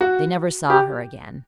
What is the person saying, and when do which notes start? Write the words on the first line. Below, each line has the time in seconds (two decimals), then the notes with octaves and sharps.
They never saw her again.
0.01 F#4
0.70 G4